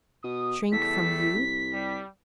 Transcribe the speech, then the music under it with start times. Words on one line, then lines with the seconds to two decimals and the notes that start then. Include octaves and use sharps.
"Shrink from YOU?"
0.24 B2 D#6
0.72 E2 G3 A3 A4 B6
1.35 C2
1.73 G3